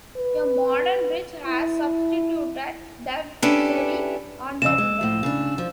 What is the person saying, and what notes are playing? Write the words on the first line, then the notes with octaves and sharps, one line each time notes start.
A modern bridge has substituted the ferry on the river.
B4
E4
C#4 D4 E4 G4 A4 B4
F2 G#2 C#3 E6 E7
G#3
A2 F3
C#3 D4
F3